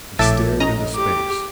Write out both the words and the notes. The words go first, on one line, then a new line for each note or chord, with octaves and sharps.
He stared into space.
A#1 A2 E5 A5 D6
C#4 D#5 A#5
G4 D6